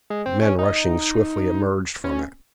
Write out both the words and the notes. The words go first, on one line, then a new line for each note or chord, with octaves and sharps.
Men rushing swiftly emerged from it.
G#3
C4
C#4
D#4
C#4